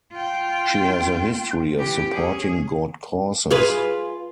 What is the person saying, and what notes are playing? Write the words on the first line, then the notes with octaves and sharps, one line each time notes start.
She has a history of supporting good causes.
F4 G5
E3 G4
C#4 G#4
F4 G#4 B4